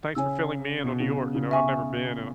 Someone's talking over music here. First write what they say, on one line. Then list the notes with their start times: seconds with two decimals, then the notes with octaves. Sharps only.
thanks for filling me in on New York. You know, I've never been, and
0.15 C#3 C#5 G#5 E6
0.84 B2
1.00 C#3
1.17 B2
1.35 C#3
1.51 E5 G#5 C#6